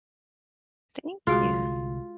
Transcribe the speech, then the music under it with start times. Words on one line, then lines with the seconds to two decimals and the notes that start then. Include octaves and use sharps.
Thank you.
1.27 C2 D3 G#3 F4 F#4 G#4